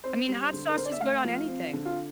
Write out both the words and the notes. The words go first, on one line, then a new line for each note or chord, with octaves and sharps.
I mean, hot sauce is good on anything.
C4 C5
G3
D3
A#4
D3 C5
D5
E5
A3 F5
F3
C4
D3
F4